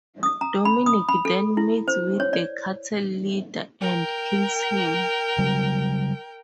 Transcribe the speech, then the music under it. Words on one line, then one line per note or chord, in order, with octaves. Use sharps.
Dominic then meets with the cartel leader and kills him.
D#6
A#5
B5
D#6
B5
A4
E4
C5
C#5
D5
A#4 G5
C#3 F#3 G3